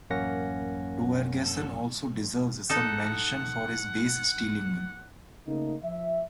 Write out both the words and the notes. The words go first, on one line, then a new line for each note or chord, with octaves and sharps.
Torgeson also deserves some mention for his base stealing.
A1 F#2 A#3 C#4 F#5 A#6
D#4 A4 F#5
C#3 A3 A#3 D#4
F3 E5